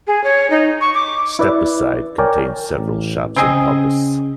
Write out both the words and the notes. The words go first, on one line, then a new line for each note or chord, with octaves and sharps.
Stepaside contains several shops and pubs.
G#4
C#5
D#4
C#6
D6
E4 B4 D5 E5
A#4 C#5 D5 G5 G#5
A1
C#3 C4 G#4 D#5